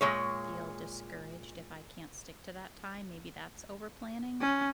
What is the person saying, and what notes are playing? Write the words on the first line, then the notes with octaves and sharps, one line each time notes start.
feel discouraged if I can't stick to that time, maybe that's over planning.
A#2 G#3 C#5
C#4